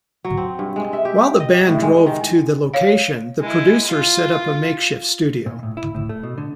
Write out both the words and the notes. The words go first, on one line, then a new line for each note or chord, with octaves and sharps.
While the band drove to the location, the producer set up a makeshift studio.
F#3
C4
G2
G#3
E5
G4
D#5
G4
A2
G#3
D#3
C#5 F5
G#3 E4
F4
A#2
A2
E4
A2
A3
B2
D3